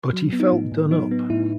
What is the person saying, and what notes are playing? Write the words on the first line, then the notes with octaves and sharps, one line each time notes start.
But he felt done up.
F#3
B3
D#4
A2
A2
F#3 D#4
B3
A2 E4